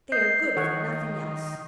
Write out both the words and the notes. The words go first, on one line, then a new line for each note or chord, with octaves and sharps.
They are good for nothing else.
D#5 G6 C7
D#3 A4 C#5 F#5